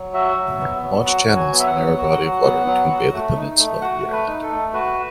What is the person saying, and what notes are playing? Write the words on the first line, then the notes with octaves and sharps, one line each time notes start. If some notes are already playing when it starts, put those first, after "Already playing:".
Launch Channel is the narrow body of water between Bailey Peninsula and the island.
Already playing: F#3
F#4 E5
F#3
B3
F#3
F#4 F#5
F#3
G#5
B3
E5
F#5
F#3
F#4
F#3
B3
F#3
F#4
A3
D#4
A3
F#4 F#5
A3
B4
D#4
A4
A3
F#4 B4